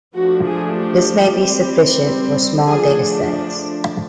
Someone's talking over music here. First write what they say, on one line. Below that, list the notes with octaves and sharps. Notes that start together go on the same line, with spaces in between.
This may be sufficient for small datasets.
F3 A3 D4 F#4
G#4
G4
G3 C4
F3 A3 D4 G#4